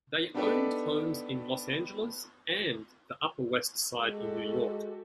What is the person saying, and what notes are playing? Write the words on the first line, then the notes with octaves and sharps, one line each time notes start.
They owned homes in Los Angeles and the Upper West Side in New York.
B3 D4 D#4 G4 A4 B4
G#3 F#4 G4 A4